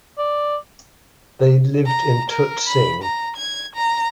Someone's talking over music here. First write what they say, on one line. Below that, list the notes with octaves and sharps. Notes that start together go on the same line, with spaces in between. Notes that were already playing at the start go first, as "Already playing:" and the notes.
They lived in Tutzing.
D5
A#5
A#4
B5
A#5
G#6
A#5